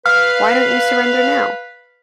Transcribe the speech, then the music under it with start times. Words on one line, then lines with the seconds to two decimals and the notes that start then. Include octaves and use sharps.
Why don't you surrender now?
0.06 B4 F5 F6